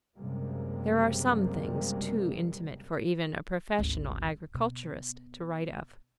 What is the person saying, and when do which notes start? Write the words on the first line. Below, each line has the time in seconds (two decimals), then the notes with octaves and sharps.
There are some things too intimate for even a professional agriculturist to write of.
0.16 F#1 F#2 C3 G3 G#3 A#3
3.79 G#1 D2
4.54 B2